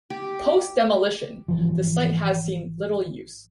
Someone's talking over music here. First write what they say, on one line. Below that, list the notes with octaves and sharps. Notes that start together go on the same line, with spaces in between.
Post-demolition, the site has seen little use.
G4
G#1 E3 F3